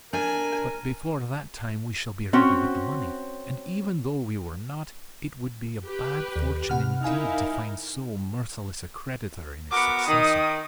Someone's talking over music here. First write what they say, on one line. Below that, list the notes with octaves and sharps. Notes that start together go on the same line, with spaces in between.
But before that time we shall be ready with the money; and even though we were not, it would be a bad fortune indeed to find so merciless a creditor in his successor.
D4 A#4 G#5
C4 C#4 F#4
G4 B4
D#2
C3 F#5 F6
D#4 E4 A#4 F5 G#5 F6
B3 F#4 A#4 D6
D#3 D#6